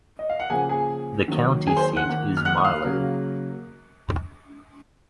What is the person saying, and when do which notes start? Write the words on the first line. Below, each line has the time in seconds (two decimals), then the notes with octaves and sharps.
The county seat is Marlin.
0.19 D#5
0.29 F5
0.40 F#5
0.50 C#3 F3 A#3 G#4 G#5
0.69 G#4 G#5
1.28 D#3 F#3 A#3
1.67 G#4 G#5
1.77 C5 C6
1.96 F#5 F#6
2.05 D#3 A#3
2.37 F6
2.45 F#5 F#6
2.58 D#6
2.64 F5 F6
2.84 C#3 F#3 A#3